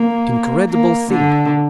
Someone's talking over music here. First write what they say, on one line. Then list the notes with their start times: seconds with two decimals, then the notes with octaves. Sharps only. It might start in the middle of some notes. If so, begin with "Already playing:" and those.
Incredible thing!
Already playing: A#3
0.68 A#3
1.10 D3